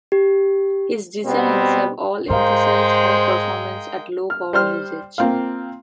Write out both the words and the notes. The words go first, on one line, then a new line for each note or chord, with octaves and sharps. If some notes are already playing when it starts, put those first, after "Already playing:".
His designs have all emphasized high performance at low power usage.
G4
B2 G3 B3 C4
G#2 G#3 A#4 C5 F5 G5
F6
G3 C5 F6
A#3 C4 F4 F5